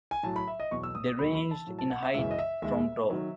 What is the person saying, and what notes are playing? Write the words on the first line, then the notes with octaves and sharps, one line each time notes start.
They ranged in height from tall.
G#5
A2 F#3 A5
B5
E5
D#5
E2 B2 F#3 C#6
E6
D#6
D#6
D#2 D#3 F#3 B5
B5
A5
A2 F#3
A5
F#5
E5
F#2 C#3 E3 G#3 E5
D#5
E5
D#2 D#3 G#3 E5
D#3 F#3